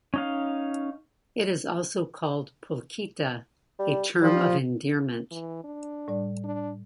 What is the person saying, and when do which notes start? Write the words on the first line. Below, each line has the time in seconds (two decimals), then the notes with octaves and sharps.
It is also called "polquita", a term of endearment.
0.14 C#4 D#4 F5
3.79 G3
4.21 F3 G3
5.31 E3
5.64 D4
6.08 A2 G3 D5
6.44 D4